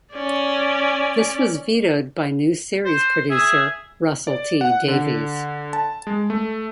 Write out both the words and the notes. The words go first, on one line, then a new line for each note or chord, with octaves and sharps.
This was vetoed by new series producer Russell T Davies.
C#4 D5
C5
G#4 E5
D5
F#5
D3
A5
G#3
A3